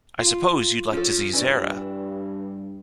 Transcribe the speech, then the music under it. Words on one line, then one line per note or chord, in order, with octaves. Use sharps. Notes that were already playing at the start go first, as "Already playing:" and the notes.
I suppose you’d like to see Zara.
F4
F3 C#4 A4
G2 E3 C#4 D4